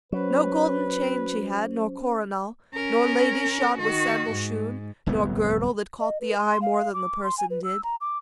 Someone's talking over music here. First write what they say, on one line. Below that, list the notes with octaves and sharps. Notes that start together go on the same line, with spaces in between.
No golden chain she had, nor coronal, Nor ladies shod with sandal shoon, nor girdle That caught the eye more than the person did.
F#3 C#4 B4 C5
C#4 A#4
D#3 F#4
G#2
D1 C2 F2 B3
D#5
B4
C6
F5
D6
C6
G#5
B4
E6
A#5
D6